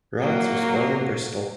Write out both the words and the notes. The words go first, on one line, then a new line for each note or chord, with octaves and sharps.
Rahtz was born in Bristol.
F#3 A#3